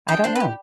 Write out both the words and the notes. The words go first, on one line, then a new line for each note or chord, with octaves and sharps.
I don't know.
D4 D#5 G5
D4 C5
B4
G4